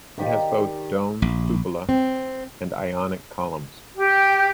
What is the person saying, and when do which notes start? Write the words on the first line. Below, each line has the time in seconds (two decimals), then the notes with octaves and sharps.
It has both domed cupola and Ionic columns.
0.18 D#3 G4 D5
1.22 A#1
1.89 C4
3.96 G4